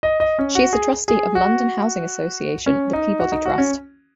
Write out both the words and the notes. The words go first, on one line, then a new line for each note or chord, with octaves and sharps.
She is a Trustee of London Housing Association the Peabody Trust.
D#5
D#5
C#4
F#4
G#4
G#4
F#4
C#4
D#4
F#4
D#4
F#4
C#4